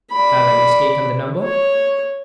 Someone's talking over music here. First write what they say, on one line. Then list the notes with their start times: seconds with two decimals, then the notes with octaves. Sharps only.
Have I mistaken the number?
0.11 D5 B5
1.43 C#5